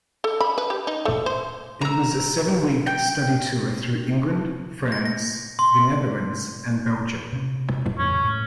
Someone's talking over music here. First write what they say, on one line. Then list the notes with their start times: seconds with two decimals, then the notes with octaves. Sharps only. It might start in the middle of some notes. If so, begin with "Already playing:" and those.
It was a seven-week study tour through England, France, the Netherlands and Belgium.
0.24 A4
0.41 B5
0.58 B4
0.70 G4
0.87 D#4
1.05 A3
1.26 C5
1.81 A#5 E6
2.87 G5
4.92 A#6
5.05 A#6
5.59 C6
7.32 C3 C#4
7.98 F2 A2 C#3 C#4
8.24 A2